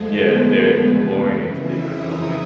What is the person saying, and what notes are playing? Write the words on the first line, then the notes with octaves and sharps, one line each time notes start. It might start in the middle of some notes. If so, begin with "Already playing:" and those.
Yeah, they're exploring into the unknown in
Already playing: F2 D3 F3 G#3 A3 G#4 A4
B3 B4
F2 C#3 E3
E4 E5
D#4 D#5